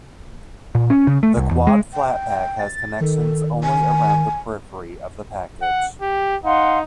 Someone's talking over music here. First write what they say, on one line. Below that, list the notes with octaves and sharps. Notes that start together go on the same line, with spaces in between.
The quad flat-pack has connections only around the periphery of the package.
A#2
C#4
C#3
A3
C2
E2
G#3
G5
A6
D#3 A4
G#5
F#5
G4
D#4 F5 F#5 C6